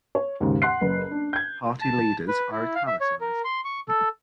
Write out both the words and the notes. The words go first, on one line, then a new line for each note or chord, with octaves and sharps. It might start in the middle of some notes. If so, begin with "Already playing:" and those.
Party leaders are italicized.
C#5
D#2 G#2 C#3
F#5 C6 F#6 C7
F#1 B4
D4
G6 G#6
A5
B4
E4
F5
E5
C#5
A#4
C6
C#6
A4